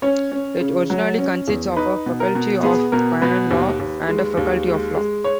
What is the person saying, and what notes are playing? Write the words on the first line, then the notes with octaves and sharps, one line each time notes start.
It originally consisted of a faculty of Canon Law and a faculty of Law.
C#4 C#5
C#4
C#3
F#3
C#4
E2
D#4 B4
B2
A#4
B2
B3 G#4
B2 A#4
B2 B4
D#2
D#2
G#3
D#2
G#3
G#3
C#5